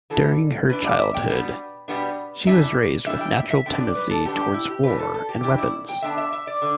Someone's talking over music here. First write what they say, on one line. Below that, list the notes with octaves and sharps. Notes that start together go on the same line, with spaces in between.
During her childhood, she was raised with a natural tendency towards war and weapons.
E3 B3 D4 A4
E3 B3 D4 B4
D5
E5
G5
B2 G3 B3 D4
B2 G3 B3 D4
E3 G3 D4 E5
E3 G3 D4 E5
G5
E5
E5
D3 B3 D4 G5
D5
B4
A4
D3 B3 D4 G4
G4
E4
G4
E3 G3 D4 B4
A4
A4
G4
E3 G3 D4 G4
E4
G5
D3 B3 D4 E5
E5
E5
D5
D3